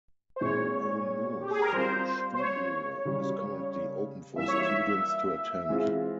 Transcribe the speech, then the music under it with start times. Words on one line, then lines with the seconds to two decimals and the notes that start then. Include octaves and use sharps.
Ohno's studio is currently open for students to attend.
0.36 C5
0.41 A#2 G#3 C4 E4 C#5
1.41 G4
1.51 G#4
1.62 A#4
1.73 G3 C4 F4 C5
2.34 C5
2.39 C#5
3.05 C#3 G3 C#4
4.36 E3 G3 A#3 F4 E5
4.48 C#5
4.59 E5
5.69 E3 G#3 C4 F4